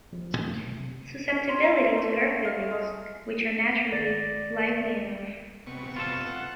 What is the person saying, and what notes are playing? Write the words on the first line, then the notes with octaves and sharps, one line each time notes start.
Susceptibility to her feelings - which are naturally lively enough.
F3
A2
A3
B1
C3
C#4
C6
A#5
A4
A3
A4
F5
G#3
G#1 D5 A6 A#6
C3 B3 C#6
F4 A4
F#5